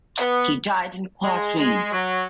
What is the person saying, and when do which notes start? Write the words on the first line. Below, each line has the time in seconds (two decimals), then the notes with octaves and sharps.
He died in Qazwin.
0.20 B3
1.23 G#3
1.58 G#3
1.92 F#3